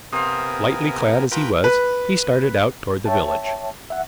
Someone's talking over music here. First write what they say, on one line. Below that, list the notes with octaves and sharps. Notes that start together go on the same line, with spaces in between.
Lightly clad as he was, he started out toward the village.
C3 B3 A#4 C5 F5 G#5 D#6
F3 A#4 B4 G5
B4
C#5 E5 G5 A5
E5 F#5